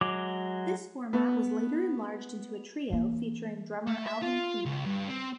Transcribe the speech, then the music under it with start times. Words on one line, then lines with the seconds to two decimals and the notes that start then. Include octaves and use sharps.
This format was later enlarged into a trio featuring drummer, Alvin Queen.
0.01 F#3 G#3 D6
1.13 B3
2.90 E3 A#3
3.87 A3
4.06 E5
4.22 F4
4.66 C#2
4.86 G2
5.09 C4